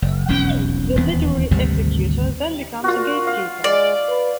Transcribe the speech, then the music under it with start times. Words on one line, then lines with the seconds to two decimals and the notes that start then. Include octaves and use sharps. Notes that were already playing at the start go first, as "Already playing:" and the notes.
The literary executor then becomes a gatekeeper.
0.02 F#1
0.28 E1 B1 F2 C#4
0.95 D#1 E2 F3 B3
1.51 G#1 D2 C3 G3
2.84 A#2 F4 F#4
3.27 F5
3.64 G#3 D5
4.08 B4